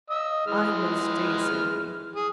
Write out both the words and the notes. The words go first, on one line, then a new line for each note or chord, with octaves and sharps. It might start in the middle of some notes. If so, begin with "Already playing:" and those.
"I will stay," said he.
D#5 E6
E3 G#3 F6
G#4